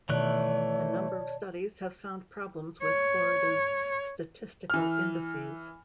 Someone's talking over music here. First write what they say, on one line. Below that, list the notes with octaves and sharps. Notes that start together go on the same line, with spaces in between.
A number of studies have found problems with Florida's statistical indices.
B2 D#3 E3 A3 C#5 D5 A5 F#6
C#5
E3 F6